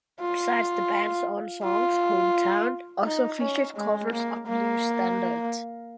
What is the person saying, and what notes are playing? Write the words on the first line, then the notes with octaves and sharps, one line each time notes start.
Beside the band's own songs, "Hometown" also featured covers of blues standards.
F4
F4
D#4
C#4
G#3
A#3
A#3